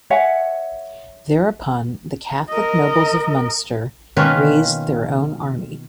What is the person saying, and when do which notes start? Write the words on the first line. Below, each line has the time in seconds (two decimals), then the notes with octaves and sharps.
Thereupon the Catholic nobles of Munster raised their own army.
0.10 C#5 E5 F#5 G#5
2.50 A#4 D#5
4.17 B2 D#3 A#3 C#4 F4 B4